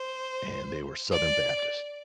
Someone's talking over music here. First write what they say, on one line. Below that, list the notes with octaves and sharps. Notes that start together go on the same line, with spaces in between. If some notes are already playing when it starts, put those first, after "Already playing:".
and they were Southern Baptists.
Already playing: C5
D5